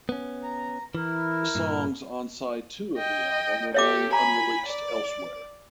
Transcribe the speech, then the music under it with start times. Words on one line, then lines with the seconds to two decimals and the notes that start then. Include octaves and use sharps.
Songs on side two of the album remain unreleased elsewhere.
0.09 B3 C#4
0.43 A#5
0.95 E3 E4 A#4
1.55 G2 A#2
2.97 D#5 G5
3.74 G4 A4 C#5 E5 D6
4.13 G#5 A#5 B5
4.66 D5